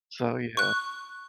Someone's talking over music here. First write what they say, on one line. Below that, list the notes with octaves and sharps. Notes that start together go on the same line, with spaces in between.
so, yeah.
C#6 F#6